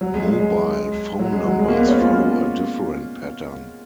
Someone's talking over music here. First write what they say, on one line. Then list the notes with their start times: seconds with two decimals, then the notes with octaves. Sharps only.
Mobile phone numbers follow a different pattern.
0.01 F#3
0.14 G#3
0.27 G#3
0.40 G#3
1.19 F#3
1.32 G#3
1.46 F#3
1.59 G#3
1.68 A#3
1.78 B3
1.88 C#4
1.98 F4